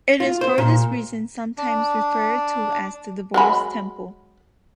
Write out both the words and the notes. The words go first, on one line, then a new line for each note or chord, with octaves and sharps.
It is for this reason sometimes referred to as the "Divorce Temple".
F4
C5
A#2
D4
F#3 G#3 B5